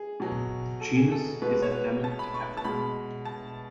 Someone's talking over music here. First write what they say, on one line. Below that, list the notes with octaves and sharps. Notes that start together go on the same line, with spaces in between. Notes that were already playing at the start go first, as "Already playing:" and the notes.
The genus is endemic to Africa.
Already playing: G#4
B2 F#3
A4
G#4
A4
B2 G#3 B4
B4
C#5
B4
A5
B5
C#6
A5
B2 G#3 B5
A5